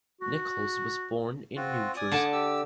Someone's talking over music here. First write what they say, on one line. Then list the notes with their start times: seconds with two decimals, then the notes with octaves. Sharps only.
Nichols was born in New Jersey.
0.21 F#4
1.56 C4 F4 F#4
1.97 D5 G#5 D#6
2.12 D3 A5
2.32 G4 E6